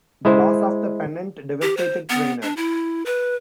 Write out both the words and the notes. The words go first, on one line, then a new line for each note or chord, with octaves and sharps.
The loss of the pennant devastated Traynor.
G#3 E4 C5
G4
C5
B3
D4
E4
B4